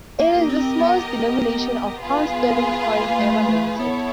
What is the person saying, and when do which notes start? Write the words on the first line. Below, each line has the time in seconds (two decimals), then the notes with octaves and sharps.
It is the smallest denomination of pound sterling coin ever minted.
0.20 A#3 G4 A#4 D#5
0.49 C4
0.80 B3
2.00 F4 G#4 B4
2.90 A#3
3.19 A3
3.49 A3
3.79 B3 E4 A4 C#5